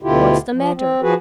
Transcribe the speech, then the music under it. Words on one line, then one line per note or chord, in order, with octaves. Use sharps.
What's the matter?'
D2 B2 D3 E4 F4 G4
F3
C4
F3 F#4 G#4 B4